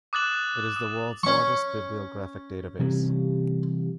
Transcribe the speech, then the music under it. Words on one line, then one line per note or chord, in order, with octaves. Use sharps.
It is the world's largest bibliographic database.
D6 D#6 F#6 A6 E7 F#7
D#6
C#4 C#6
C3 E3 G3